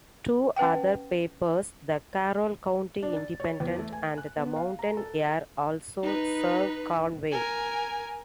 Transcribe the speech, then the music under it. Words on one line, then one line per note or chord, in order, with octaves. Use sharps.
Two other papers, "The Carroll County Independent" and "The Mountain Ear" also serve Conway.
C#4 B4 F#5 G5
D4
A6
C#5
E2
A3
G#5
F#6
B3
F5
A#5
A4
D#4 B4
A#4 G#5